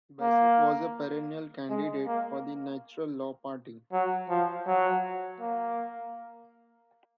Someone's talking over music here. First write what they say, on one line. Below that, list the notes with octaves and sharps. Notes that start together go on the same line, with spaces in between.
Bessette was a perennial candidate for the Natural Law Party.
A#3
G#3
A#3
F#3
F3
F#3
A#3